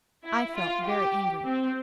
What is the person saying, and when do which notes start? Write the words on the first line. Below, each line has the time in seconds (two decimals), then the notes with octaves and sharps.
I felt very angry.
0.25 E4
0.55 F4
0.85 G4
1.45 C4